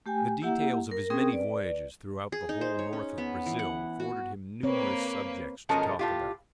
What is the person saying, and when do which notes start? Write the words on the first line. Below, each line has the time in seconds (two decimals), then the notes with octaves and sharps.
The details of his many voyages throughout the whole north of Brazil afforded him numerous subjects to talk about.
0.06 A3 G4 G5 G#5
0.42 A#3 E4 G4 E5 F#5 A#5
0.91 A#4
1.10 C4 C#4 G#4 A#4 G5 D#6
1.30 B4 D5
2.32 G#4
2.49 D#4
2.61 C5
2.79 C#5
2.93 C#4
3.18 B3
3.46 E3
3.59 F#5
4.00 F#4
4.63 A#3 C4 B4 C#5
5.69 B2 F3 G#3 C#4 A4 A#4
5.99 A2 F4 G4